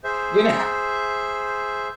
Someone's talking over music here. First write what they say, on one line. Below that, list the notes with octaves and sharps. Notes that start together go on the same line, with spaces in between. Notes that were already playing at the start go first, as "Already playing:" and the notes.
you know?
G#4 C5 E5